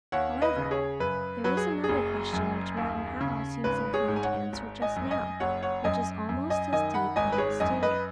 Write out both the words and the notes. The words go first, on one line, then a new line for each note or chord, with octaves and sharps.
However, there is another question, which Madam How seems inclined to answer just now, which is almost as deep and mysterious.
D#2 C#5 F#5
B4 D#5
C#3
G#4 C#5
F#2 B4
F#3 B4
G#4
F#1 G#4
F#2
D#2
C#3
G#1 B4
G#4 C#5
G#2
G#5
C#5 F#5
G#1
D#5 G#5
F#2
D#5 G#5
F#1 C#5 F#5
C#5 F#5
F#2 D#5 G#5
F#2
D#5 G#5
D#3 D#5 G#5
F#5 B5
G#1 D#5 G#5
B4
G#4 C#5
F#2 D#5 G#5
B4 D#5